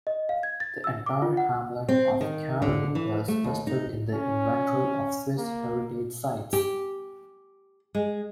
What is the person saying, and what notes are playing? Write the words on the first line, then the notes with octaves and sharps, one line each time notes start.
The entire hamlet of Carre is listed in the Inventory of Swiss Heritage Sites.
D#5
F5
G#6
A6
E6
D6
F4
F#5
C4
D#3
D3
E3
A3
D#2
D#4
C#4
A#3
G4
G#3